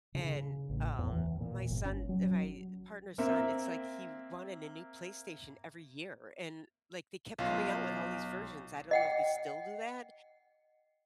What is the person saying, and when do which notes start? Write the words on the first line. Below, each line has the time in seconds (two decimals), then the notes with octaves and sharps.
and um my son, ri my partner's son, it's like he wanted a new PlayStation every year, and like they kept coming out with all these versions. I don't know if they still do that,
0.15 C#3
0.70 A1
0.99 E2
1.12 E3
1.41 A#2
1.70 G1
1.85 C#4
2.09 F#3
3.18 A#3 C4 E5
7.39 B1 C#4 F4
8.91 D#5 F#5 G5